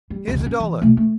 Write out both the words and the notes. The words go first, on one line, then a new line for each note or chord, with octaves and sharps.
Here's a dollar.
G3
E1 C#2
C#4
E3
B2 A3
A3